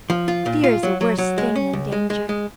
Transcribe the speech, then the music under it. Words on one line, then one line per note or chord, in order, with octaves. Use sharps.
Fear is a worse thing than danger.
F3
F4
A#2
F4
F#3
F#3
F#3
G#3
C#4
C#2
G#3
G#3
G#3